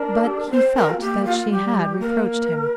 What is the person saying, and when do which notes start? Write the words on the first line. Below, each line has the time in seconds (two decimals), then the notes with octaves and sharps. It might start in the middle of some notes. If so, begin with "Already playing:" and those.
But he felt that she had reproached him.
Already playing: D4 A#4
0.25 G4
0.37 A#4
0.50 C4 C5
0.75 A#4
0.90 F4
1.00 A#3 G4
1.25 F4
1.50 G3 G4
2.00 A#3 A#4